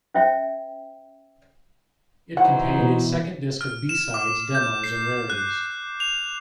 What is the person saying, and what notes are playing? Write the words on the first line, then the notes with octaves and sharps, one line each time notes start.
It contained a second disc of B-sides, demos and rarities.
C#4 C5 E5 G5
E3 F#3 D#4 C5 F#5
B2
F6
E7
D6
G6
C7
F#6
F7